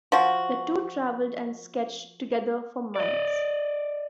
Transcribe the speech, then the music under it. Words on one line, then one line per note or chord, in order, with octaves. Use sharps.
The two travelled and sketched together for months.
F3 F#4
D5 D#5